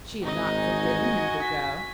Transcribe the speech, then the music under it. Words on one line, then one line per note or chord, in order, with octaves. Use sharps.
She had not forbidden him to go.
G#1 D#4 D#5
F#4 G#5
B6